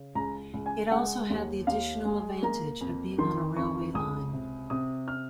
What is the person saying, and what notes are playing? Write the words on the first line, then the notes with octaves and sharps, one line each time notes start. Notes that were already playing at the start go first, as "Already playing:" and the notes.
It also had the additional advantage of being on a railway line.
Already playing: C#3
C#2 A#5
C#2
G#5
G#3 F#5
D#2
D#2 F5
G#3
A#3 A#5
F2
D#3 C6
F2 C#6
C#2 D#6
C3
C3 D#6
F6